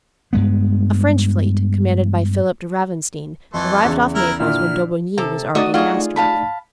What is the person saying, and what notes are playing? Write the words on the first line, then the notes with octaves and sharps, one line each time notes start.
A French fleet, commanded by Philip de Ravenstein, arrived off Naples when D'Aubigny was already master of it.
G2 G#3 B3
F2 E3 A3 C6
E2 C#3
E4 A#4 A#5
A#2 D3 E4 F6
C3 A4
A3 D#4 F#4 D5 D#5 D#6
F4 F#4 G#4 D#5
F5 A5 B5